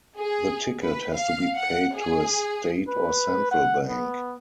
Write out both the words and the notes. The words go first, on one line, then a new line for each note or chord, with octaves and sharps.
The ticket has to be paid to a state or central bank.
G#4
B4
F5
F#5
G#4
B4
F#5
B3